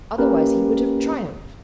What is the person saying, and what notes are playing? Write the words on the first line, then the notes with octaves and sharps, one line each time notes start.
Otherwise he would have triumphed.
A#3 C#4 G4 A#4 B4